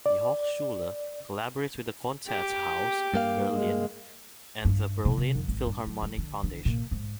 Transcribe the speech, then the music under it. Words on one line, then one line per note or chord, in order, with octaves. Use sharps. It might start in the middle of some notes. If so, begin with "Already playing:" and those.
The Hochschule collaborates with the Konzerthaus Berlin and the Berlin Philharmonic Foundation.
D5
G4 D6
G2 A#3 F5
G#3
G2
B2
C3
F2
G#1
G2
F#3
G3
D3
D3
A#2
G#2